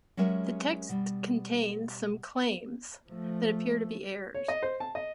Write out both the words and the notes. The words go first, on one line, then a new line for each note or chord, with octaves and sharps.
The text contains some claims that appear to be errors.
F#3 G#3 C#4 G4 A#4 E5
B2 G3
F3 A3
C#5
D#5
C5
A5
D#5